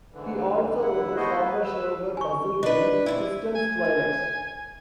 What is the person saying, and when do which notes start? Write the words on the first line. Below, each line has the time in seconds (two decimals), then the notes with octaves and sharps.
He also wrote the former shareware puzzle game "System's Twilight".
0.12 G#2 D3 E3
0.82 D#2 D3 E4 F#5
1.16 A3 B3 E4 F#4 C5 D#5
1.42 B4
1.64 B4 E6
2.17 G#5 C#6
2.63 D4 B4 D#5
3.06 D2 G#2 E4
3.56 G#5